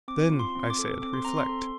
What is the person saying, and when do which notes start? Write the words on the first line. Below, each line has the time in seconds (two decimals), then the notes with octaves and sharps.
Then, I said, reflect.
0.08 C4 D6
0.32 F4
0.39 C6
0.55 C4
0.70 D6
0.79 A4
1.02 C4 D6
1.13 C6
1.25 C4 A#5
1.37 C6
1.49 A4